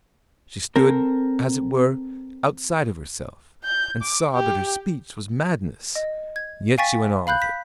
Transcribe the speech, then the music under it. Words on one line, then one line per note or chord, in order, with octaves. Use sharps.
She stood, as it were, outside of herself, and saw that her speech was madness; yet she went on with it.
C4 A4 A#4
G6
D6
G4
D#5
G#6
F5 G5 G#5 C#6 A6 B6
F5 B5 F#6 G6
B6